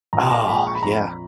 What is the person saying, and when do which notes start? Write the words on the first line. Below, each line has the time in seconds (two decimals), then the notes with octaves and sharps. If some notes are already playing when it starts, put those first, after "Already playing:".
Oh, yeah.
0.13 A#1 A#5
0.30 A#5
0.48 A#2 G#3 B5
0.67 C#6
0.75 B5
0.83 F2 A#5
0.92 B5